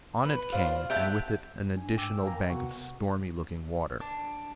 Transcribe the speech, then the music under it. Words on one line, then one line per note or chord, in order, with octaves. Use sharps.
On it came, and with it an additional bank of stormy-looking water.
B4
F4 C5 D5
G4 E5 F#5 A5
D4 G#5
G#2 G5 D6 E6
A#4 F5 G5 G#5 A#5
C3 B3 F#4 F#5 C#6
D4